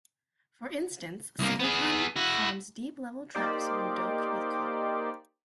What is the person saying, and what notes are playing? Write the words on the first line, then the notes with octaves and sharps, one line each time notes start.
For instance, silicon forms deep-level traps when doped with copper.
C2 A#3
B3 G#4
E4 F#4
A#3 D#4 G4 C5 D5